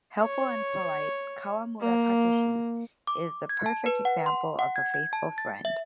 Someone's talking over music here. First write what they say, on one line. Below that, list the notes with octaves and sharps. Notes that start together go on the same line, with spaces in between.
Helpful and polite, Kawamura Takashi is the perfect example of a faithful friend.
C#5
A#3
D6
G#6
A5
B4
F#5
C6
F#5
G#6
G#6
A5
A6
E5